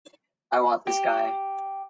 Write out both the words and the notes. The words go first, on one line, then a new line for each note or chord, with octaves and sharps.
I want this guy.
G4